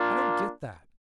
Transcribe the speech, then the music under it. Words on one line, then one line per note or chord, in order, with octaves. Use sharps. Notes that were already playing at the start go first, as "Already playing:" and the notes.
"I don't get that."
Already playing: A#3 D4 F4